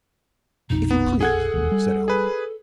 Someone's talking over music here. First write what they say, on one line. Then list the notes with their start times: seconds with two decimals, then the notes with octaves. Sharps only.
"If you please," said Allan.
0.70 A#1 F2 B2 D#4
0.91 B3
1.21 G#4 A4 F#5 G#6
1.54 E1 D#2
1.72 G3
2.08 G#4 B4